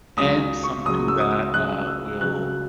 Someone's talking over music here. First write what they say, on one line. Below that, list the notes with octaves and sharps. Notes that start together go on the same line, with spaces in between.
and something that, uh, will
C#2 C#3 F#3 D#6
C#6
C#2 C#3 F#3 D#6
E6
D#6
E6
C#2 C#3 F#3 F#6
E6
C#2 C#3 F#3 F#6